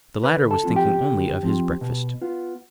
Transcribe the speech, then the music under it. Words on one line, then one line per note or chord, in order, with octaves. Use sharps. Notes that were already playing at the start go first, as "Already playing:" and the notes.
The latter was thinking only of his breakfast.
D3 B4 B5
A4 A5
F3 C4 F4
G4 G5
D3
F3 C4 F4
B2
B3 F4